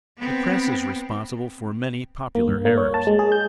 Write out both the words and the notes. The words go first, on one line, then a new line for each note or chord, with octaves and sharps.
The press is responsible for many popular errors.
B3 C4
A#3
G2
A#3
C#5
A5
G#3
G#4
G6